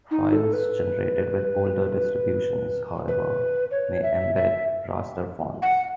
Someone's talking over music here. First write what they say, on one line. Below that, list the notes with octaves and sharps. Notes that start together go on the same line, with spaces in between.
Files generated with older distributions, however, may embed raster fonts.
D#4
A4
B4
B4
C#5
E5
E5
F#5